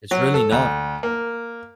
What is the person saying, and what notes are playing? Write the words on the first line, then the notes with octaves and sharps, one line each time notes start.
it's really not.
F#3
A4
D2
A#3